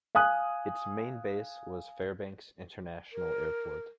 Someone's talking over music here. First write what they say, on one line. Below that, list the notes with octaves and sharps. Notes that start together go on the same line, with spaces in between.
Its main base was Fairbanks International Airport.
F5 G#5 D#6 F#6
A#4